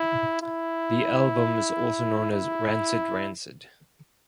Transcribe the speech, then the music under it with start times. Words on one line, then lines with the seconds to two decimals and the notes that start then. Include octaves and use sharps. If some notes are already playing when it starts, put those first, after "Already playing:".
The album is also known as Rancid Rancid.
Already playing: E4
0.42 E4
2.32 E4